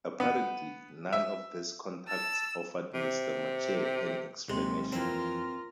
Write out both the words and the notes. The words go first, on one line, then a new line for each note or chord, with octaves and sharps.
Apparently, none of these contacts offered Mr. Matchett any explanation.
B3
E5
A5 E6
C3
D#2 C3 F#3 G#3 C6
F2 E3 C4 F4 A#4